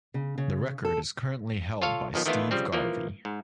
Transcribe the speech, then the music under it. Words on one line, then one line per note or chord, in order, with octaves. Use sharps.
The record is currently held by Steve Garvey.
C#3
C#3
A4
F4 A4 C#5 F5
B1 D#3 F3 B3
D#3 E3 A3 B3 E4 F4
C#3 F3 G3 C4
E3 F3 A#3
G#2